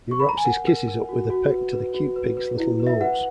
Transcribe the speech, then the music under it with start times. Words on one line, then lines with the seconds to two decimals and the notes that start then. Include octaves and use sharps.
He wraps his kisses up with a peck to the cute pig's little nose.
0.11 C#6
0.20 B5
0.29 A#5
0.37 G#5
0.45 A#4 F#5
0.67 A#4
0.88 A#4
1.09 F#4
1.30 F#4
1.52 B4
1.73 B4
1.94 F#4
2.16 B4
2.37 B4
2.58 E4
2.80 B4
2.87 E5
3.01 B4 F#5